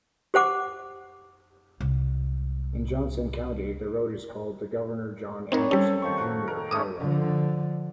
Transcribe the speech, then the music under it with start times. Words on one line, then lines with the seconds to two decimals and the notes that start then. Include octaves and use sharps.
In Johnson County, the road is called the Governor John Anderson, Junior Highway.
0.34 G4 C5 F#5 D6
1.81 C2 G#3
5.52 F#3 G3 C4 D#4 A#4
5.71 G3 C4 C#4 A4
6.02 D#3 F3 C#6
6.18 F#4
6.48 A#4
6.71 G#2 A3 C#4 D6 D#6
7.00 D3 F3